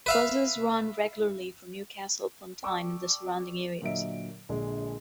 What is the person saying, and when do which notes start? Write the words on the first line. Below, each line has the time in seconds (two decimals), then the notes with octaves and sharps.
Buses run regularly from Newcastle upon Tyne and the surrounding areas.
0.06 B4 E5 F5
2.63 D5 G5 A5 C#6 D6 E6
3.82 A#2 D3 F#3 D#5 E5 D7
4.49 A#1 A#2 D3 G#3